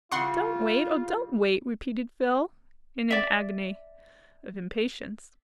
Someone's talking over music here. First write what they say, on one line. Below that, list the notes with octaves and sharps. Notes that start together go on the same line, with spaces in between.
"Don't wait, oh, don't wait!" repeated Phil, in an agony of impatience.
C#3 E3 G3 F4 F#5 C6 C#6
D5 E5